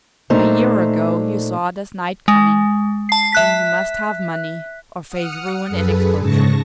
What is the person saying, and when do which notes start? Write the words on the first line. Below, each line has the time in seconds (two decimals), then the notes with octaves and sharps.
A year ago you saw this night coming--when you must have money, or face ruin and exposure.
0.30 A#2 A3 D4 D#4 C5 A#5
2.28 G#3
3.09 A5 C7
3.32 E5 F#6 B6
5.08 F#5 D#6 F6 C#7
5.69 F#2 G#4 A4 B4
6.19 G#2 C#3 A5 C#6 A#6